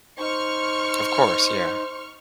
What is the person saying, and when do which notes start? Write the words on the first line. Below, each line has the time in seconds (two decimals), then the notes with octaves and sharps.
Of course, yeah.
0.19 D#4 C5 C#6 F6